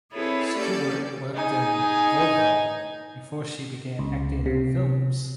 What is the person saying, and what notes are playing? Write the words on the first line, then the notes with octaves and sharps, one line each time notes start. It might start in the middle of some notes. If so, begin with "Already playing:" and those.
Stewart worked in vaudeville before she began acting in films.
C4 E4 G#4 A4 B4 C#5
A#3 C#4 G4 A4 D5
D#4 G#4 G#5
C#2
C3